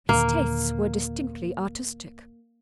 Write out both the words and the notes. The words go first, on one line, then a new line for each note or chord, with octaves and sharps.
His tastes were distinctly artistic.
D#2 A#2 D3 A#3